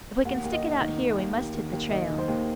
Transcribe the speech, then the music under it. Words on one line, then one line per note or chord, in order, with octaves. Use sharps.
If we can stick it out here we must hit the trail ...
D#2 F#5
D#2
D#5
D#3
D#3
D#3
D#2
D#2
D#3
D#2
D#3 D#5
D#3
C5
D#2